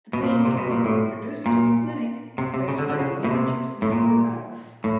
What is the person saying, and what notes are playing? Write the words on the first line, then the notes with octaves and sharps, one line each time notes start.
The pain can be reproduced in clinic by squirting lemon juice into the mouth.
B2
A#2
C3
B2
A#2
A2
A#2
C3
C3
C#3
D3
D3
C#3
B2
C3
A2
A#2
A2